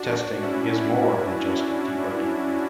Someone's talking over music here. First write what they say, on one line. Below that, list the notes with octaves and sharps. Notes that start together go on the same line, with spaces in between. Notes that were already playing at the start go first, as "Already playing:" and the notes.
Testing is more than just debugging.
Already playing: D4 F#4
C#4 E4